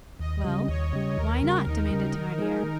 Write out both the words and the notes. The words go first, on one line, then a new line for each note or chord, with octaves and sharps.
"Well! why not?" demanded Thenardier.
D#2 D#5
C#3 G3
D#2 C#5
C#3 G3
D#2 A#4
C#3 G3
D#2 D#4
C#3 G3
D#3
G#3 D#4 G#4
D#3